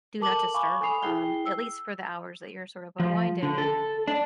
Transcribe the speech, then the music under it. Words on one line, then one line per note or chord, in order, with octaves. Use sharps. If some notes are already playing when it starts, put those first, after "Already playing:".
Do Not Disturb, um, at least for the hours that you're sort of unwinding and
A4 A#4 A5 D6 F#7
F5 G#5 B5 C#6 D6
A4 G#5 B5 D#6 C7 F7
E4 G#4 G5 C7 G7
E6
F3
D3
A4
D4